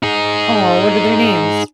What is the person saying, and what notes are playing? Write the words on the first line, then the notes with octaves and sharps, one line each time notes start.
Aw, what are their names?
D#4 G#4